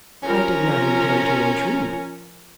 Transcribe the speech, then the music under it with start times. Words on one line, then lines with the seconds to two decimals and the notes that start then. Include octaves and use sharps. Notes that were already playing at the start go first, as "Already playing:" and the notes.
"I did not intend to intrude."
0.23 F3 C#4 A#4 A#5